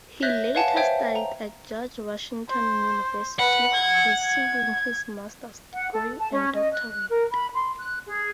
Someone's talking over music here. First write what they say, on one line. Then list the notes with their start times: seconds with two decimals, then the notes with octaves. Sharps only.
He later studied at George Washington University, receiving his master's degree and doctorate.
0.22 C#5 E5 F#6 G6 A#6 B6
0.55 B4 C#5 F5 F#5 G#5 A5
0.76 C5 C#5 E5 G5
1.16 A#5
2.49 C5
3.39 B4 F#5
3.73 G#6
4.23 G#6
5.74 F#5
5.93 A4
6.19 A5
6.32 C#4
6.54 D#5
6.74 F#6
7.09 A#4
7.31 B5
7.54 C6
7.79 F#6
8.06 G#4